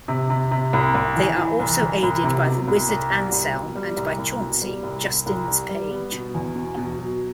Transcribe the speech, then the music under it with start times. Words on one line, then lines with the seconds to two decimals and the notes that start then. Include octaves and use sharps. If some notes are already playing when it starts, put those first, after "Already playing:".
They are also aided by the wizard Anselm and by Chauncey, Justin's page.
0.08 C3
0.30 C3
0.51 C3
0.73 C2
0.94 C2
1.16 E3
1.37 E3
1.59 C2
1.81 E3
2.03 C2
2.23 C3
2.46 B2
2.68 C2
2.89 C2
3.10 G3
3.32 C2
3.54 B2
3.75 G3
3.97 C2
4.18 C2
4.40 B2
4.62 G3
4.83 C2
5.05 C2
5.26 C2
5.48 G3
5.69 G3
5.91 B3
6.12 B2
6.34 E2
6.56 B2
6.77 B2
6.99 F#3